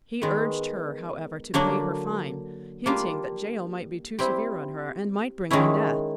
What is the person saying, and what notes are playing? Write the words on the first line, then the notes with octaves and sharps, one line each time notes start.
He urged her, however, to pay her fine, hinting that jail might be too severe on her and might bring on death.
D#3 G#3 B3
D3 F#3 A#3 D4
G3 A#3 D4 F4
G3 C4 E4
D#3 G#3 C#4 E4